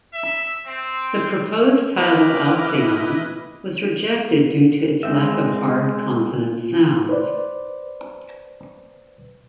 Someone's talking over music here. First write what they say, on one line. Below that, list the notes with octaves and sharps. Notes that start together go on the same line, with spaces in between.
The proposed title "Alcion" was rejected due to its lack of hard consonant sounds.
E5
C4
E4 B4 D#5 D6 F6
G#3 C4 E5
B4 C5 D5